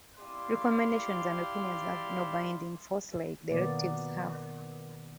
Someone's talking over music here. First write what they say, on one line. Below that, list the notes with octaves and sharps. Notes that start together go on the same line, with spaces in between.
Recommendations and opinions have no binding force, like directives have.
E4 G4 D5 F5 C6
B2 D#3 A#3 B3 D5